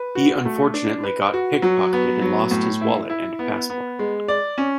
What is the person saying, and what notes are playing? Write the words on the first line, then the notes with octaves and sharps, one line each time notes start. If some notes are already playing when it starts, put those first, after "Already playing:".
He unfortunately got pick-pocketed and lost his wallet and passport.
Already playing: B4
F#4
A3
D4
B4
F#4
F#3
B3
F#3
A2
E4
E4
B3
B3
G#3
D5
C#4